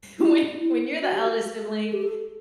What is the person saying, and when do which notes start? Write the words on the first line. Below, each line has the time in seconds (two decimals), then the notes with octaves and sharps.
When when you're the eldest sibling,
0.19 E4
0.60 E4
1.02 F#4
1.14 G4
1.27 F#4
1.85 A4
1.93 G4
2.03 A4